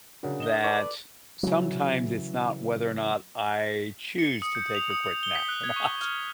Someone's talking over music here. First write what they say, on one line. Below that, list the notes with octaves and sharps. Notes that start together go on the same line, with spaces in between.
that sometimes it's not whether or not I choose to take a quick nap or not,
C#3 F#3 D4 A#4 F#5
D#5 E7 G7
A4 B4 D5 C#6
C#3 E3 F#3
C#7
D#6
G6
F7
D#6
D#6
G7
B6
F#6
G#6
C#6
F6